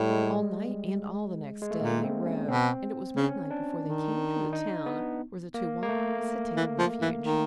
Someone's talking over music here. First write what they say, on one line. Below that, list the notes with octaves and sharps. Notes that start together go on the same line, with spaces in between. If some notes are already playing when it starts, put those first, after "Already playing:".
All night and all the next day, they rode, and it was midnight before they came to the town where the two wanderers had taken refuge.
Already playing: A2 G3
G#3
G#3
A3
A#2 A#3
C4
C#4
B2 C4
C#3 C#4
D4
D#3
D#4
B3
A#3
A#3
A3
E3
F3
E3
D#3